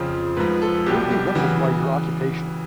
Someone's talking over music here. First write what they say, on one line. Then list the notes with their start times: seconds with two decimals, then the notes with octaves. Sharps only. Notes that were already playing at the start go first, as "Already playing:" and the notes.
Don't be ruffled by your occupation.
Already playing: F2 C#3 F3 C5
0.37 G#2 F3 B4
0.62 A4
0.86 C2 B2 F#3 G4
1.11 G4
1.35 C#3 E3 F#4